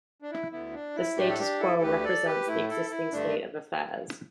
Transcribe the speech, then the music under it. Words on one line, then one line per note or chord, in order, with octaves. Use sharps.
The status quo represents the existing state of affairs.
D4
E4
D2 D3 B3 E4
D4
E4
A2 A3 D4 G4
A4
D4 G4
E4 A4
D2 D3 A3 G4 B4
A4 D5
G4 B4
A2 A3 E4
E4 A4
E4
G2 D3 A3 D4